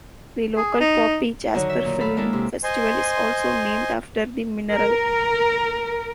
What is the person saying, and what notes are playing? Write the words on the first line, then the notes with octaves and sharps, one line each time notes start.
The local Poppy Jasper Film Festival is also named after the mineral.
G#4
D#4
D3 D#3 F#3 D#4 F#4 C#5
E5
A#2 D#3
A4 F5 B5
G#3 A#3 D4 E4 A4
C3
C5 D#5 G#5 C6
A#4